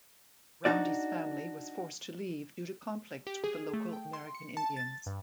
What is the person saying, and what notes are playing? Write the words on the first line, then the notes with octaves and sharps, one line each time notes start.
Roundy's family was forced to leave due to conflicts with the local American Indians.
D4 D#4 F#4 D5
G4
G#4
A3
G5
C6
C#7
A5
A6
G2